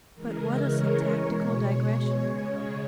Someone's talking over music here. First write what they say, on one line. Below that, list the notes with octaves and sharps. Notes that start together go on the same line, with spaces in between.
But what a syntactical digression!
C#3 E3 G#3 A#4
C#5
B2 G#3
C#5
C#3 G#3